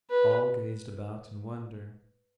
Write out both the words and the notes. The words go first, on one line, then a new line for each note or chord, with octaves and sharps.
All gazed about in wonder.
B4